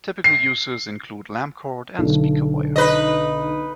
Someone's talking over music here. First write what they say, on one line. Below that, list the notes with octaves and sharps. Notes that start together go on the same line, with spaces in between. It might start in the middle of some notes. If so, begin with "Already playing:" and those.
Typical uses include lamp cord and speaker wire.
C7
B1 D3
D#4 B4 D#5